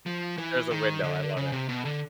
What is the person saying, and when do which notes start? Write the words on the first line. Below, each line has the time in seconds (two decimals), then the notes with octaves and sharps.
There's a window, I love it.
0.06 F3
0.38 E3
0.71 D#3
1.03 D3
1.37 C#3
1.52 C3
1.69 B2
1.85 D3